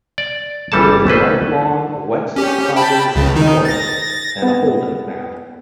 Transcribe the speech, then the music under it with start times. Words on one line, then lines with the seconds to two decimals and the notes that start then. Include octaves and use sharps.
He is a lifelong Wests Tigers supporter and a Holden fan.
0.18 D5
0.72 G1 E3 G3 A4 A5
1.07 A3 C#4 B4 C5
2.36 C#4 G4
2.76 G5 A5 B5
3.16 C#2 C#3
3.35 D#3 D#4
3.65 A6 A#6
4.42 B3